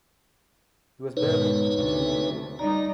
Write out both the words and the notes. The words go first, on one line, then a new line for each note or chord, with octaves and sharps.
He was buried at Oundle.
G#2 B2 D#4 B4 C#5
D2 C3 A3
G3 D#4 D5 A#5